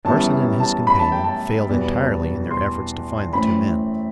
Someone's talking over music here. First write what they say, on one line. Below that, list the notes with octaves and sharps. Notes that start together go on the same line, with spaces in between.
Carson and his companion failed entirely in their efforts to find the two men.
F#2 E3 G3 B3 A5
A5
B5
A5
G5
A5
E2 B2 G3 B3
C6
F#2 E3 A3 C4 B5